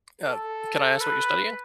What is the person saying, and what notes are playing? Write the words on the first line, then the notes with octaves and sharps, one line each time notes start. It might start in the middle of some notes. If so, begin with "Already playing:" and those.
Uh, can I ask what you're studying?
A4
B4